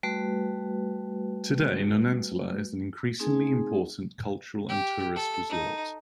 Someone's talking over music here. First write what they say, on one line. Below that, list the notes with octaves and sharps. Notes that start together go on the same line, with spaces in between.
Today Nonantola is an increasingly important cultural and tourist resort.
G3 A3 F#4 B4
A3 C4 D#4 G#4 G#5
G4
A4
D#4